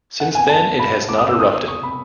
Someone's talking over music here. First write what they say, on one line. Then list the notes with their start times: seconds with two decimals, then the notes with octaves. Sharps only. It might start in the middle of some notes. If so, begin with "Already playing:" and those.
Since then it has not erupted.
0.20 F#5
0.35 G#5
0.49 A5
0.79 B5
1.09 D6
1.18 D#6
1.29 E6
1.39 D#6
1.68 C#6
1.83 B5